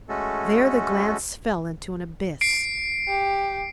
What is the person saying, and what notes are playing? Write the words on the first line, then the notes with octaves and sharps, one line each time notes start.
There the glance fell into an abyss.
G#3 A3 C#4 F#4 A4
C7 D7
G4